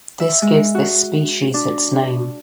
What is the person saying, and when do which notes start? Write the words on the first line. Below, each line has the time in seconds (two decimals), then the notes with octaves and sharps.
This gives this species its name.
0.20 E5
0.42 G#3
0.75 F#4
1.54 D4